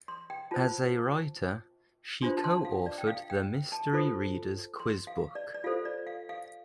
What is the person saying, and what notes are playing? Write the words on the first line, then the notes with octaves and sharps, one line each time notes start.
As a writer, she coauthored "The Mystery Reader's Quiz Book".
C6
G5
F4 C5 A5
D4 F4 C5 C6
A5
C6
F5
D5
G5
F5
G5
A5
F4 A4 C5
C6
F5
D5
D5
F4 A4 C5 F5
D5
F5
F5